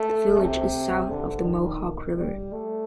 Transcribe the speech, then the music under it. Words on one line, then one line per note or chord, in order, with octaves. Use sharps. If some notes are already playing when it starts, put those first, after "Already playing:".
The village is south of the Mohawk River.
Already playing: A3
C3
D3
D#3
G3
A3